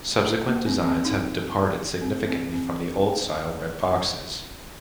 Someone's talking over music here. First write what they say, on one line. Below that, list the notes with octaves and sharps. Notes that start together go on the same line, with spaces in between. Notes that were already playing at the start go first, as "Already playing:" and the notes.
Subsequent designs have departed significantly from the old style red boxes.
A#3
C4
C4
D#4
C4
C4
C4